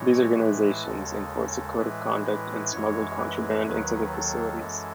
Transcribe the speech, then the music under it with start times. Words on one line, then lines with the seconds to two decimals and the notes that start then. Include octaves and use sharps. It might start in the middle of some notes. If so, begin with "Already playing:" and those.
These organizations enforced a code of conduct and smuggled contraband into the facilities.
Already playing: A2 E3 G#3 C#5
0.37 B4
0.84 D#2 C#3 G#3 A4
1.78 A2 E3 G#3 B4
2.25 B4
2.73 F#2 E3 G#3 C#5
3.18 B4
3.65 D#2 D#3 F#3 B4
4.13 A4
4.59 F#2 E3 G#3